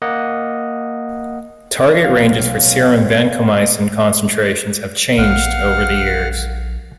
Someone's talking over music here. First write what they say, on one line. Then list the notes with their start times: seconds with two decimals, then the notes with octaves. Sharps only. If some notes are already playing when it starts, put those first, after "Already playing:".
Target ranges for serum vancomycin concentrations have changed over the years.
0.02 A#3 D#5 F#5
2.05 B1 E2 C4 C#5 F5
5.18 A#1 F5 F#5 F6